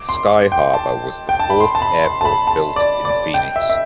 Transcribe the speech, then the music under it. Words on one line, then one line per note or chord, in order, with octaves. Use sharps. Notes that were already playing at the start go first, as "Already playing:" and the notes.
Sky Harbor was the fourth airport built in Phoenix.
Already playing: D6
C6
G5
A5
G5
A5
B5
C6
A5
B5
C6
A5
B5
A5
D5
D5
G5
E5
E5